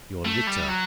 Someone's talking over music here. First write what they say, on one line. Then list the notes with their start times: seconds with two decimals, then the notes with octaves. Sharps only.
Your litter.
0.25 A3
0.47 G3
0.68 F#3